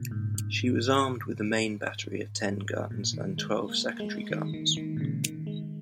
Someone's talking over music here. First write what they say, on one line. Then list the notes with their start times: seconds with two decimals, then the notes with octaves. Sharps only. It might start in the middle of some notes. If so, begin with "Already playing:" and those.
She was armed with a main battery of ten guns and twelve secondary guns.
Already playing: A#2 C#3
0.11 G#2
0.35 G#2
2.44 G#2
2.91 A#2
3.13 D#3
3.38 G#3
3.68 A#3
4.00 G#3
4.30 D#3
4.54 D#3
4.77 D#3
4.97 A#2
5.01 C#3
5.24 D#3
5.47 G#3